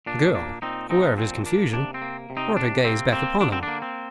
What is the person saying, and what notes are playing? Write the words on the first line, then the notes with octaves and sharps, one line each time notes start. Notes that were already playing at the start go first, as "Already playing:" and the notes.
The girl, aware of his confusion, brought her gaze back upon him.
A#2 D4
A#3 D4
A#2 C4 D#4
F3 C4 D#4
A#2 C4
A#3 D4
C3 D4
C4
A#3
C3
C4 D#4
C3 D4
A#3 C4
A#3 C4
D3 D4
C4
A#3 D4
C4